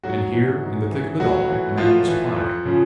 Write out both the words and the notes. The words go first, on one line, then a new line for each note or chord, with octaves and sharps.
And here, in the thick of it all, a man was ploughing.
G#2 F#3 F#4
E3
G#2
E3
A2 F#3 F#4
E3
A2 F3 F4
E3
F2
C#3 F3